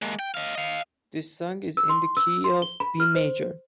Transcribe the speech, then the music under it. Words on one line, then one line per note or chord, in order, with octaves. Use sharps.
This song is in the key of B major.
G#3 A#3
G5
D#5 F5
D#5 F5
E6
C6
E6
C6
G7
B5
F6
C5